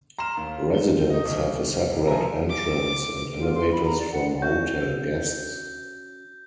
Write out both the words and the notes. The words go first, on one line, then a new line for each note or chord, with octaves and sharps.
Residents have a separate entrance and elevators from hotel guests.
A#5 C6 F6 E7
D#2
G7
D#4 D#5
C2
F3 E5 G#5 A#5
D6
F4
C6
B5
A#5
D5
F#5
C#4 F#4 G6